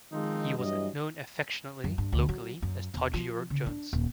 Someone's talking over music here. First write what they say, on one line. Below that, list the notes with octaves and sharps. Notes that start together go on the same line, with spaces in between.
He was known affectionately locally as 'Todger' Jones.
D#3 F3 G#3 C4 D#4
G2 E3 F#3 D#5
F#2
G2
D2
F#3
F#2
E1
F3
C#3
D4
D#1